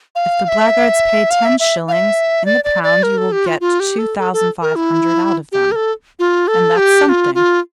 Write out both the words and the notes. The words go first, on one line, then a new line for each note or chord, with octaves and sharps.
If the blackguards pay ten shillings in the pound you will get two thousand five hundred out of them, and that's something.
F5
F5
E5
F5
E5
E5
F5
E5
D5
D5
D5
A#4
A4
G4
F4
F4
G4
A4
A4
A4
A#4
E4
G4
A#4
A4
F4
A4
G4
G4
F4
F4